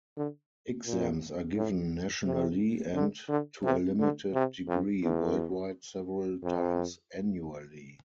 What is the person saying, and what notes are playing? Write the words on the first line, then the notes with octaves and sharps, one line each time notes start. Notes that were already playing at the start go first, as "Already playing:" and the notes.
Exams are given nationally and, to a limited degree, worldwide several times annually.
D3
A#2
A2
C3
D3
D3
C3
D3
C3
F2
E2
F2